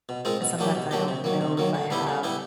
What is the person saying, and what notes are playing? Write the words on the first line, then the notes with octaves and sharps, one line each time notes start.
sometimes I don't know if I have
B2
G#3 C4 F4 A#4
B2
F#3 A#3 D4 G4
B2
F#3 A#3 D4 G4
C3
D#3 F#3 A#3
C3
D#3 F#3 A#3
D3
G3 B3 E4 G4
D3
G3 B3 E4 G4